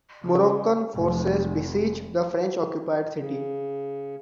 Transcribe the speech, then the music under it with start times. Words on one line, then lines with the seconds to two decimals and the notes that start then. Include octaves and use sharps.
Moroccan forces besieged the French-occupied city.
0.23 C#3
0.93 F1
3.16 C#3